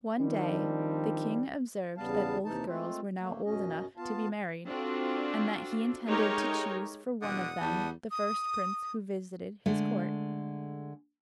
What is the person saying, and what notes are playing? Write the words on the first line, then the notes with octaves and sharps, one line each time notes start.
One day the king observed that both girls were now old enough to be married, and that he intended to choose for one of them the first prince who visited his court.
D#3 F3 G3 C4 D4
E2 C#3 G3 B3 F5 A5
D#2 C3 E3 D#4 A5
G#3 A3 C4 F4
A3 A#3
F#2 B2 C#4 D#5
B3 F4 F5 A5
C4 D4 F4 F#4 A4
G#3 A3 D#4 G4 A#4 C#5
E1 D3 F#5 D#6
E2 G3 A5
D#6
D3 G#3 A3